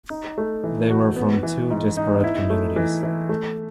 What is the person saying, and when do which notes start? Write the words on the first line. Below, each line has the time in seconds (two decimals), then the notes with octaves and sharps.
They were from two disparate communities.
0.10 D#4
0.38 A3
0.64 E3
0.90 F#4
1.16 B3
1.43 E3
1.70 G#2
1.97 D#4
2.24 E4
2.50 A3
2.76 E3
3.03 E3
3.29 A3